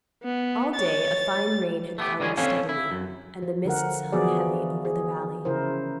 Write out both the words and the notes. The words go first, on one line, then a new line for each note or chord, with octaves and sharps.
All day a fine rain had fallen steadily, and the mists hung heavy over the valley.
B3
C#5 A6
A3 B3 G4
D3 G3 G#3 C#4 F4 G#4
C4 C#4 A4 C#5 F5 G#5
E4
F#2
F3
D3 A#4 F#5
E3 F3 B3 F#4 G#4 D5
G#4
C#3 E4 A#4 C5